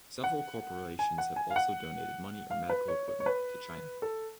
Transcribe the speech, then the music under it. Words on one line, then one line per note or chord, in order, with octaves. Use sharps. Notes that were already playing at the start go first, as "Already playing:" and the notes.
Several corporations have also donated money or medical equipment to China.
F#5
G#5
F#5
G#5
F5
F#5
F5
B4
C#5
C#5
C#5
B4
A4